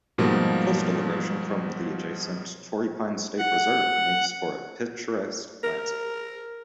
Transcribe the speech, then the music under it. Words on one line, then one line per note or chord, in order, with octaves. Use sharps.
Coastal erosion from the adjacent Torrey Pines State Reserve makes for a picturesque landscape.
G#2 B2 F3 G3 A#3
F#5
A#4